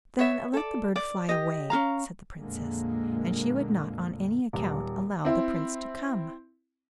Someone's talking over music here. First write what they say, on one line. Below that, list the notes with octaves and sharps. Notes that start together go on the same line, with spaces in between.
'Then let the bird fly away,' said the Princess; and she would not on any account allow the Prince to come.
C#5 E5
A4 D5
D5
G4 D#5
C#4 F4 F5 A#5
F2 A#2 D3 G#3 A#3
D#1
C4 E4